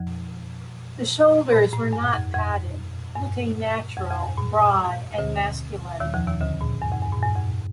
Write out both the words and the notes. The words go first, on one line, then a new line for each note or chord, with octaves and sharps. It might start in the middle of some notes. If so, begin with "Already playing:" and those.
The shoulders were not padded, looking natural, broad and masculine.
Already playing: F2 F3
A#2
A2
G2
F2
F2
G2
F2
F2
G2
A#2
D2 D3
D#2 D#3
F2 F3
D#2 D#3
D2 D3
A#2
G2
F2
G2
A#2
G2
F2